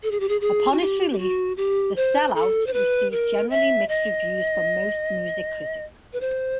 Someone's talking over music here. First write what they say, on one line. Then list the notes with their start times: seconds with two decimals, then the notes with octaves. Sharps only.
Upon its release, "The Sellout" received generally mixed reviews from most music critics.
0.03 A4
0.11 G#4
0.20 G4
0.29 G#4
0.41 G#4
0.72 F#4
0.81 G4
1.11 G4
1.18 F#4
1.57 G4
1.96 C5
2.35 A4
2.67 C5
2.73 B4
3.12 A#4
3.50 E5
3.89 D#5
6.13 B4
6.21 C5